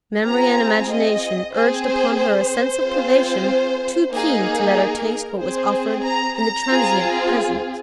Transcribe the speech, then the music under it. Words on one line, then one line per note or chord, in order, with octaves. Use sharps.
Memory and imagination urged upon her a sense of privation too keen to let her taste what was offered in the transient present.
C4 F4 G#4 A#5
D#5
C4 G#4 C5
C5
C5
C4 F4 G#4
A#3 D#4 G#4
A#4
C4 G#4 C5
A#5
A#5
C4 F4 G#4